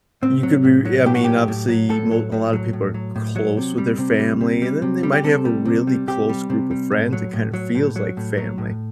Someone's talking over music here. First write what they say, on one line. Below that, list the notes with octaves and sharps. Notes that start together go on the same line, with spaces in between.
you could be I mean, obviously, mo a lot of people are close with their family, and then they might have a really close group of friends. It kind of feels like family.
A2 C4
F#3
A2
F#3
A2 G4
F#4
F#3 G4
A2
F#3
A2 A4
F#3
A2
F#3
A2
F#3
A2
F#3
C3
G3
C3
G3
C3
G3
C3
G3
G4
C3 A4
G3
C3
G3
C3 G4
G3
C3
G3
A2
F#3
A2
F#3
A2
F#3
A2
F#3
A2